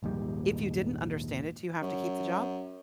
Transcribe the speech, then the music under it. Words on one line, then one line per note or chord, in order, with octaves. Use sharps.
if you didn't understand it, do you have to keep the job?
A#1 D#2 G#2 G3
F#2